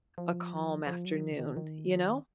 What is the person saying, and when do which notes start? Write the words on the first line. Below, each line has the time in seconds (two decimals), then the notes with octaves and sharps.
a calm afternoon, you know?
0.18 F3
0.87 F3
1.05 F#3
1.22 F3
1.32 C#3
1.39 D#3
1.57 D#3